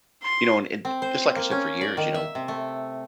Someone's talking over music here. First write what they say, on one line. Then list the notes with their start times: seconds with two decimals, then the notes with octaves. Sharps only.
You know, and and d just like I said for years, you know,
0.23 C6
0.85 C4
1.02 C5
1.36 A#3
1.51 C#4
1.81 D5
1.97 D#3
2.14 E5
2.35 C3
2.48 A3